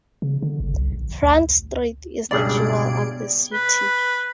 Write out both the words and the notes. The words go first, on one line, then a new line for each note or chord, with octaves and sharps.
Front Street is the jewel of the city.
C#3
D3
G#1
C2
A#1
D2
C#2 G2 B2 G#4 D5
B4